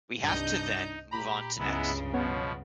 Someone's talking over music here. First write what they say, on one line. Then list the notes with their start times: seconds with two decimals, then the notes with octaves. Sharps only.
We have to then move on to next.
0.23 C2 G2 D4 D#4 D#5 G6
1.11 A#2 G4 A#5 B5
1.59 C#2 G2 C#3 G#3 B3 E4
2.13 B2 F3 B3 C#5 F#5